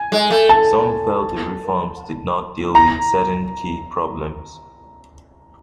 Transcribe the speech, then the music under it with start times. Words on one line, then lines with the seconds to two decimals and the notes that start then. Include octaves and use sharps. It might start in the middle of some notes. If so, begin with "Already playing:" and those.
Some felt the reforms did not deal with certain key problems.
Already playing: G#5
0.12 G#3
0.31 A3
0.49 A5
2.75 A#5